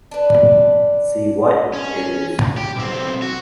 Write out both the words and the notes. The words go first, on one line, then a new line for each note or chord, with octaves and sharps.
See what it is.
D4 B4
C#4
G4
B1 C4
F#4